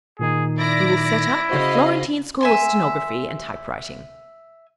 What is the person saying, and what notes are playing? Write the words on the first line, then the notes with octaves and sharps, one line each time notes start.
We will set up the Florentine School of Stenography and Typewriting.
A#2 D#3 D#4 G#4
E4 D5 A#6 D7
C#3 F#4 C5 D#5 F5 B5
E5 G#5 C6